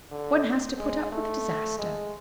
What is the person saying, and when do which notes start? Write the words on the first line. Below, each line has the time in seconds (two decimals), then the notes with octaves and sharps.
One has to put up with disaster.
0.12 D3
0.78 G#3
1.12 A3
1.78 G#3